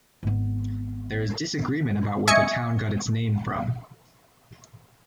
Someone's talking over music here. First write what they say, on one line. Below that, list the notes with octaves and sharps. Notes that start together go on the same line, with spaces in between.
There is disagreement about where the town got its name from.
G#1 B3
D#5 E5 G#5 C#6 C#7